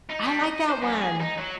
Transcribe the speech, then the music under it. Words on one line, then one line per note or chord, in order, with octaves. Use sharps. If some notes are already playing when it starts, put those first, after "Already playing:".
I like that one.
D#4
G3
D#5
C5
F#2
G#4
D#4
F#3